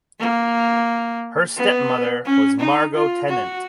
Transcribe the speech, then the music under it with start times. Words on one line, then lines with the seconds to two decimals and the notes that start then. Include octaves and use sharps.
Her stepmother was Margot Tennant.
0.19 A#3
1.57 B3
2.25 C#4
2.60 D#4
2.95 F4
3.28 F#4